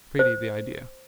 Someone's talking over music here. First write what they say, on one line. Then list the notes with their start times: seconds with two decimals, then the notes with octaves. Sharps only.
Pretty, the idea!
0.19 C5